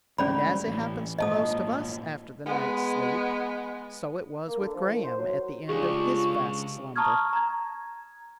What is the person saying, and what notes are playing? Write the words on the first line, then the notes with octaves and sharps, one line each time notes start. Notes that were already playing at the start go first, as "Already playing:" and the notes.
And as it happens to most of us after the night's sleep, so it was with Graham at the end of his vast slumber.
G#1 D2 G3 C#4 D5 B5
A1
G#1 A#2 D#5 A5 D#6
G#3 B3
A#3
D3
F3
D#3
C5
F#3
C#2 D4 F4 G4 G#4 C#6
A5 A#5 C#6 D#6 F6 G#6
A#5 G#6